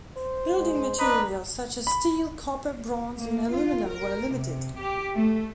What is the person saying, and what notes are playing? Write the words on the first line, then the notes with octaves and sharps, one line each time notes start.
Building materials such as steel, copper, bronze, and aluminum were limited.
C5
G#3
D4 B4 D#5 A#5
B5
A#3
F4
A#4
C3
G4
A3